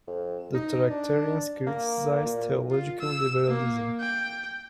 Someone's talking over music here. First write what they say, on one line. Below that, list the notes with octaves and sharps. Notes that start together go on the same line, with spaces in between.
The Tractarians criticised theological liberalism.
F2
D#4
D4
A#3
A#2
F4
E6
A#3
G5